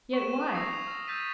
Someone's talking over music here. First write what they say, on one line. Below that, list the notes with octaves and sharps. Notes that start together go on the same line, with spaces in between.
Yet why?
C#6 E7
D#6
E6 G#6 A#6 C7 F7
F7
F6 A#6
E6 F6 G6 A6 B6 D#7